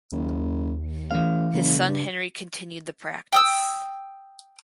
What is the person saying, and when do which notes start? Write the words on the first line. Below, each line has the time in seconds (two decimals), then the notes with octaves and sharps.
His son Henry continued the practice.
0.12 F#1 D#2
1.11 A1 E3 F5
1.54 F#1 C#3
1.88 G2
3.33 G5 D#6 E6